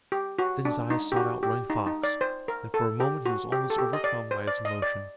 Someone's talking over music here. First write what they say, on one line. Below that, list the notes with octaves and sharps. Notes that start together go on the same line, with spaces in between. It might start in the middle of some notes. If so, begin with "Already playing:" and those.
Then his eyes sought out Running Fox, and for a moment he was almost overcome by his emotion.
G4
F#4
D4
D#4
G4
F#4
G4
D#4
D#4
D5
C5
A#4
A4
G4
F#4
G4
A4
G4
D#5
D5
C5
D5
D#5
D5